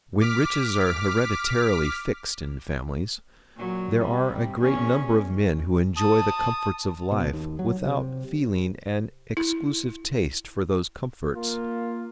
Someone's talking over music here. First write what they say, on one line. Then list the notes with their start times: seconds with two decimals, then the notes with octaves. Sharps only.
When riches are hereditarily fixed in families, there are a great number of men who enjoy the comforts of life without feeling an exclusive taste for those comforts.
0.21 D6 F6 B6
3.56 A#2 F#3
3.97 C3 G3
4.60 E2 C#4
5.97 A5 D#6
7.11 B2
7.33 D#2
7.59 F#3
7.85 C3
9.37 E4
11.34 A#3 F4